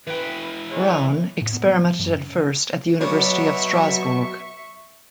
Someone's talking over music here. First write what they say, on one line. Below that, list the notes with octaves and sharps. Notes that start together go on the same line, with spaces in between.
Braun experimented at first at the University of Strasbourg.
E3 B4 G5
G#3 C#5
A2
B3
F#3
F3
F#2
C#3
B2 F#3 D4 F#4 C#5 E5 C#6